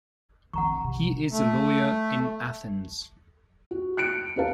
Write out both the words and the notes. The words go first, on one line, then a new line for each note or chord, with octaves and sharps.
He is a lawyer in Athens.
D#3 C4 F#5 A#5 C#6
C3
A3
F#4
F#6 C#7 D7
C#4 G4 A#4 B4 F5 A5